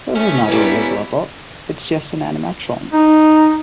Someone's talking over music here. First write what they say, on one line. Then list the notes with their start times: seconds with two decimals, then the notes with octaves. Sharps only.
This is not a real robot, it's just an animatron.
0.16 E3 F3 A3 C#4
0.48 G3 A#3 B3 E4
2.93 D#4